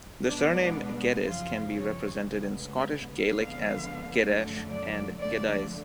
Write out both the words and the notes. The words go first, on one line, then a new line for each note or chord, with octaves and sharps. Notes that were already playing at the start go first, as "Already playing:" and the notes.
The surname Geddes can be represented in Scottish Gaelic as "Geadasach" and "Geadais".
B2 G#3 B3 D4
F#2 C#3 F3 F4
C#5
D2 C#3 G#3 B3
F2 D3 G#3 B3 F5
F#2 D3 F#3 A3
D5
F2 D3 F3 A3 D5